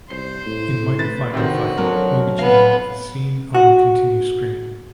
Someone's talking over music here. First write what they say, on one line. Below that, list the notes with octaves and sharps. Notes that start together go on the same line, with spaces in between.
In Mighty Final Fight, Mobichan is seen on continue screen.
C2 C5 C7
A2
B4 A6
D2 C3 D#3 C4 F#4
F2 F#3 A#4
B3 B4 F5
F#4